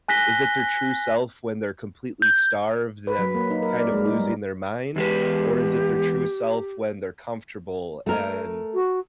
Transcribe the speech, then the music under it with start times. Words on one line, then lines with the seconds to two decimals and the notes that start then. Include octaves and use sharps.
is it their true self when they're completely starved and kind of losing their mind? Or is it their true self when they're comfortable and
0.08 G#5 F#6 A#6 B6 G7
2.22 G6
3.07 B4
3.19 F#3
3.35 A#3
3.50 D#4
3.62 A#4
3.78 D5
3.92 G#3
4.05 D#4
4.20 G3
4.96 E2 G#3 G4 B4
8.06 A3 A#4
8.74 F#4